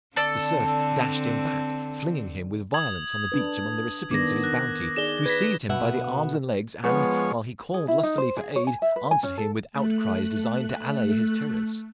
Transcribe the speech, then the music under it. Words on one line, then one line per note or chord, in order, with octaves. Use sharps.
The surf dashed him back, flinging him with violence on the beach among the recipients of his bounty, who seized him by the arms and legs, and, while he called lustily for aid, answered him with outcries designed to allay his terrors.
D3 C4 A4 D5 E6
D#6 G#6 F#7
D4 B4
D#3 B3 D4 D6 A#6
F#6
D#4 G#4 D5 E7 G7
B4 G#6 A#6 B6
D2 B2 B3 E5 F#5
F3 G#3 B3 C#5
G#4
E4
D#4
C5
G#4
C#5
G#5
E5
B4
G#5
C#4
A4
A3 F#6